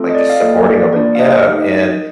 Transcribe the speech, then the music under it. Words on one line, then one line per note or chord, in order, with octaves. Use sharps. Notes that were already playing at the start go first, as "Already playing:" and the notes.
like, just supporting him and yeah. And
Already playing: A3 C4 F4 A4
D#5
D5
F5
A#3 F4 A4 D#5
D5
A#3 D4 F4 D5
F5
D#5
A3 D#4 G4